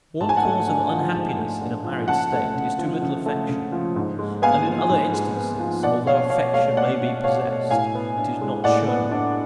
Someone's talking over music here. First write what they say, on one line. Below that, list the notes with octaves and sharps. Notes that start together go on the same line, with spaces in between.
One cause of unhappiness in a married state, is too little affection; and in other instances, although affection may be possessed, it is not shown.
G#2 A5
G#5
F#5 A5
A3
D4
F3
G#2
A3
D4
F3
C#3 F#5 A5
A3
C#3
F3
C#3
A3
C#3
F3
G#2
G#3
B3 F5 G#5
F3
G#2
G#3
B3
F3
B2 D5 F#5
C#4 C#5 F5
B2 C#5 F5
A3 C#5 F5
B2 D5 F#5
C#4
B2 C#5 F5
A3
A2 F5 G#5
B3
D4
G#3
A2 D5 F#5
B3
D4